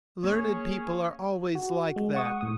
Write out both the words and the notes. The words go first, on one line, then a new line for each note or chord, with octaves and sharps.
Learned people are always like that.
A#3 C#4 G#4 C#5
F#4
G#3
F#5 C#6 D#6
A2 D#6